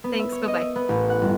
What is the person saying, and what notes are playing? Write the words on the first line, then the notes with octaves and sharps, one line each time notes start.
Thanks, bye-bye.
B3
E5
C#5
D#5
E5
B3
A1
F#5
G1